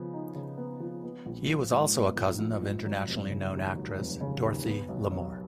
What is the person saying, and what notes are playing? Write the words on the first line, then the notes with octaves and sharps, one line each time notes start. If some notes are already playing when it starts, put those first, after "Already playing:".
He was also a cousin of internationally known actress Dorothy Lamour.
Already playing: C#3 F3 B3
D#4
C#3
B3
F3
B3
A#1
F3
G#2
B3
A#1
F3
G#2
F#3
F1
C#3
D#2
F#3
F1
C#3
D#2
B3
B1
F#3